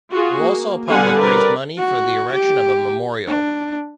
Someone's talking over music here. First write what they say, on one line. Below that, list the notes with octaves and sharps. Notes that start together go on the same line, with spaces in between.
The Walsall public raised money for the erection of a memorial.
F4 F#4 G#4
A#3
D3 G3 B3 F5 F#5 G#5
C4 A#4 B4 D5
F#4
G4
D4